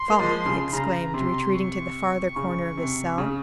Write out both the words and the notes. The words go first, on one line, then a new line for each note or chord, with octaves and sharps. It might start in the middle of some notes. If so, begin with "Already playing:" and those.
"Faugh!" he exclaimed, retreating to the farther corner of his cell.
Already playing: C6
A#3
F3 G#3
C#3
C#3 A#5
C3 C6
C#6
C#3 C#6
C3
C#3